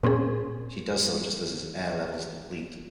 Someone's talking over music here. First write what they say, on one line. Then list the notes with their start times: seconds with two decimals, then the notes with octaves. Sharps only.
She does so just as his air levels deplete.
0.03 A#2 C4 C#4 G#4